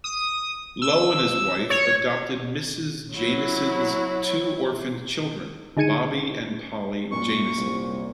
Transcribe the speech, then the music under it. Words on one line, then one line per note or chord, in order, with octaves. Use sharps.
Lowe and his wife adopted Mrs. Jamieson's two orphaned children, Bobby and Polly Jamieson.
D#6
E6
C#5
F#3 E4
D3 D#4 G#4 G#6 C#7 D#7
F#2 A#2 C#6
C2